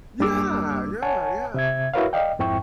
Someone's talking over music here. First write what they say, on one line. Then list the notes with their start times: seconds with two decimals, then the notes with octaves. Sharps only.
Yeah, yeah, yeah.
0.20 F#2 G3 A#3 D4 D6 E6
1.02 C#5 F#5 G#5 A5
1.54 C3 E5 G#6
1.94 E4 F#4 A#4 B4 C#5 F5
2.13 D5 D#5 F5 G5
2.39 F2 G#2 C4 E4 G5 C#6